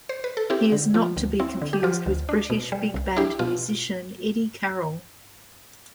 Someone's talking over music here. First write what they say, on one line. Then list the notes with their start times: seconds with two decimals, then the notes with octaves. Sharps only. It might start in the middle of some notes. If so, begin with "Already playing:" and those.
He is not to be confused with British big band musician Eddie Carroll.
0.09 C5
0.24 B4
0.37 A4
0.50 C4 E4 G4
0.72 D3
0.94 F3 F4
1.17 D2
1.40 C4 E4
1.62 D3
1.73 G4
1.83 F3 F4
2.06 D2
2.29 D4
2.50 B2
2.72 G3
2.94 C2
3.17 D4 E4 G4
3.39 B2 F4